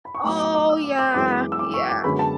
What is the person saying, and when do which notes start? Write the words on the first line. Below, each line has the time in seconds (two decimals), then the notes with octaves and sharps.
Oh yeah, yeah,
0.05 B5
0.15 C#6
0.24 A2 F#3 B3 D6
0.39 D6
0.54 D6
0.69 E6
0.84 D6
0.99 D6
1.14 F#2 E3 G#3 B3 D6
1.52 E6
1.59 D6
1.74 C#6
1.89 D6
2.04 F#2 D3 G#3 B3 B5
2.19 A5